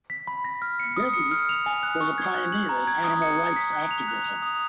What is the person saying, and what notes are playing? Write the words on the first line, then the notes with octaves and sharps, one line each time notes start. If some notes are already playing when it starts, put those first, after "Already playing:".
Devi was a pioneer in animal rights activism.
B6
B5
A#6
F6
C#7
D#6
C#7
F6
F7
G#5
F#6
C#6
G#6
F#6
F#7
A#5
G#6
D#6
C#7
D#6
B6
F#6
F7
F#6
F7
D#6